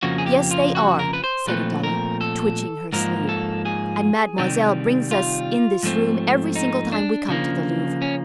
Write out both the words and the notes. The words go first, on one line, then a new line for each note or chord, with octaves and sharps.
"Yes, they are," said Adela, twitching her sleeve, "and Mademoiselle brings us in this room every single time we come to the Louvre."
F2 C#3 F3 A#3 F#4
G#4
G4
F4
F#4
A#4
B4
C5
A#2 F3 A3 C4 B4
A#4
A4
G#2 F3 A#3 A#4
A4
G#4
C3 D#3 G3
F4
G#2 F3 A3 C4
D#4
D4
C#3 F3 A#3
C#4